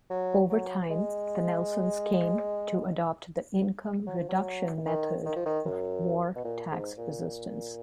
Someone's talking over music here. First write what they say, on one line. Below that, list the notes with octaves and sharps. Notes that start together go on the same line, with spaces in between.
Over time, the Nelsons came to adopt the income-reduction method of war tax resistance.
F#3
F#3
G#3
F#3
F3
F#3
D#3
D#3
F3
D#3
F#2
B2
A#2
G#2
A#2